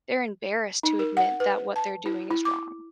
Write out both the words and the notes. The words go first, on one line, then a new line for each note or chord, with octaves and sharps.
they're embarrassed to admit that what they're doing is wrong."
D#4
A#4
F#5
B4
A5
E4
E4
D6